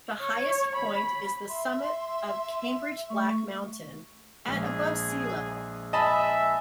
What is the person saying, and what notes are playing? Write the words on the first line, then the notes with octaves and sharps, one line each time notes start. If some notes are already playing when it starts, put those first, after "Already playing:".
The highest point is the summit of Cambridge Black Mountain, at above sea level.
C#5
B5
E5 C6
A3 C#6
A#1 G#3 G#4
D#5 E5 G#5 A5 B5